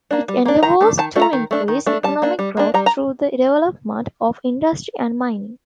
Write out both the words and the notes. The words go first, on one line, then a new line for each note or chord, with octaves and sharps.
It endeavours to increase economic growth through the development of industry and mining.
A#3 D4
G3
A#3 D4
D#3 A#5
A3 D4
D#3 A5
A3 D4
A#5
D#3
A3 D4
D#3
A3 D4
G3 A5
A#3 D4
G3
A#3 D4
G3 A#5
A#5